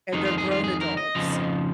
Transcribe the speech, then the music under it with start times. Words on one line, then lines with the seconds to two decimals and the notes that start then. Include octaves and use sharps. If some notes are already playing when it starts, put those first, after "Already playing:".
and they're grown adults.
0.13 F2 D#3 G#3 D#4
0.25 F4
0.38 G#4
0.51 F4
0.64 G#4
0.81 A#4
0.97 D#5
1.15 F2 C#3 F3